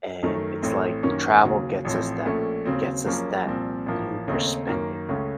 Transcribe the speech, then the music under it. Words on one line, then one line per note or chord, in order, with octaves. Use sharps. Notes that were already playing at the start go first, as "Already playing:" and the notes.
And it's like travel gets us that gets us that new perspective.
F#2 D#3 A3
A1 A2 A3 C4
F#2 D#3 A#3 C#4
D#2 C#3 F#3
A1 A2 F3 C4
A#1 A#2 A3 C#4
D#2 C#3 F#3 C4
F#1 F#2 F3 A#3 C#4
C2 A#2 F3 C4
A1 A2 F3 A#3
D#2 C#3 A3 C4 D#4
F#2 D#3 A#3
C#2 C#3 A3 C#4